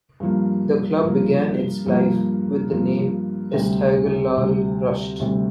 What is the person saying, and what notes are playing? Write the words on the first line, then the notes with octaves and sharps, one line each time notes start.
The club began its life with the name, Esteghlal Rasht.
G2 F3 A#3
G2 F3 A#3
G2 F3 A#3
G2 F3 A#3
D2 C3 G3
D2 C3 G3
D2 C3 G3